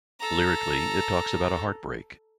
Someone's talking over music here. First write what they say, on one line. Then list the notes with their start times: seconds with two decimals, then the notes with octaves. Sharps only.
Lyrically, it talks about a heartbreak.
0.20 A4 A#5